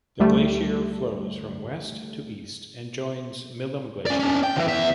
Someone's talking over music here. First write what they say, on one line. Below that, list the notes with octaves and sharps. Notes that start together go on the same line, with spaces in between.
The glacier flows from west to east and joins Milam Glacier.
D2 G3 A3
C#4 D5
C#4 D4
G5
C#3 E3
E2 E5